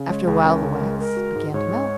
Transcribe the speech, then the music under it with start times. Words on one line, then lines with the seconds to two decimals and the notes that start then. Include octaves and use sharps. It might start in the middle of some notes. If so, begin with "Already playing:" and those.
After a while the wax began to melt.
Already playing: C#3
0.09 G#3 C#5
0.27 C#2 G#4
0.45 C#4 A#4
0.63 C#3
0.72 A#4
0.81 G#3
0.99 G#3 A#4
1.17 F#4
1.35 G#2
1.54 G#2 C#5
1.71 G#3